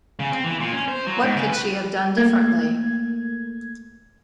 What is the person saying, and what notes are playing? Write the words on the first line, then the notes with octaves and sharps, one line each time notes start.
What could she have done differently?
C#3
C4
E3
A#2
C#4
C5
F#3
G#2
C#3
B4
A3 A#3 G#6